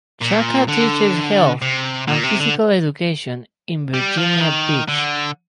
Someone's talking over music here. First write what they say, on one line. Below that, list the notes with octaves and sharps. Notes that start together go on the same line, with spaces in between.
Chaka teaches health and physical education in Virginia Beach.
A#2
D3
C3
A#2
C3
D3
G3
F3
D#3
D3